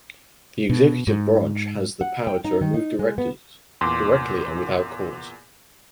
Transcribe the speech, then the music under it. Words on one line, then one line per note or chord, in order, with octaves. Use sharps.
The executive branch has the power to remove directors "directly and without cause".
B2
G#2
F#5
G5
D#4
D#3
D#4
G#3
B3
E2 A#2 C6 D6